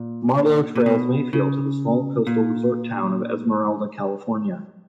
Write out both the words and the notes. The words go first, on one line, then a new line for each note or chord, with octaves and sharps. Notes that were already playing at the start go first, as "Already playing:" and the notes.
Marlowe trails Mayfield to the small coastal resort town of Esmeralda, California.
Already playing: A#2
A#2
B2
C#3
A#2